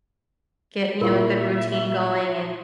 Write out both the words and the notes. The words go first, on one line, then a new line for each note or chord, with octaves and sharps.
get, you know, a good routine going and
A#2 E4 F4 A#4 E5 C#6